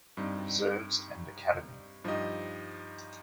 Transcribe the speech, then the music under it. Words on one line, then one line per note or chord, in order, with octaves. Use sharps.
Reserves and Academy.
G2 G3 C4 D#4
G2 F3 D#4 G4 D#5